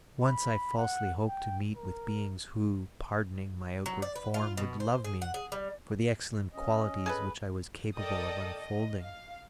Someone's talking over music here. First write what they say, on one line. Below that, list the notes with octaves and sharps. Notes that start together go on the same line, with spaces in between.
Once I falsely hoped to meet with beings who, pardoning my outward form, would love me for the excellent qualities which I was capable of unfolding.
B5
F#5
G5
A#4
F#3
D5
B4
F4
B2
C5
G#4
F#5
G#4
G3
C#4 D#5
G#4 A4 B4
A4 A#4 D5 D#5 G5 D#6
D#5
F5